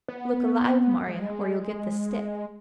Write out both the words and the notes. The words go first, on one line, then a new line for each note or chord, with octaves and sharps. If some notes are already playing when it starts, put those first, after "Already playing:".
"Look alive, Marya, or you'll get the stick!"
B3
G#3